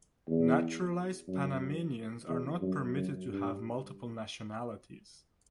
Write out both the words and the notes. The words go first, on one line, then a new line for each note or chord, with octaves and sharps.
Naturalized Panamanians are not permitted to have multiple nationalities.
E2
F#2
E2
F#2
F#2
G2